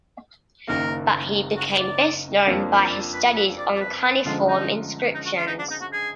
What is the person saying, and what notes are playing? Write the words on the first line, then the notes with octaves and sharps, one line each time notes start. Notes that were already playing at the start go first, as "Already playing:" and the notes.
But he became best known by his studies on cuneiform inscriptions.
F#1 F#2 D#3 A#3 A#4
F#4
D5
F2 F3 A#3 D4
D5
B4
B4
D5
D5
B4
F#2 D3 F3 G#3 F4
D#4
D#4
F#4
F4
D#4
D4
D#4
F#4
G#4